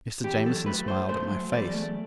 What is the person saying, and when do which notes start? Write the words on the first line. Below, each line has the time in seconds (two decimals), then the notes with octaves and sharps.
Mr. Jamieson smiled at my face.
0.24 E2 G4
0.46 F#3 A4
0.66 A3 B4
0.88 F#3 C5
1.09 A3 C5
1.30 F#3
1.52 E2 D5
1.74 A3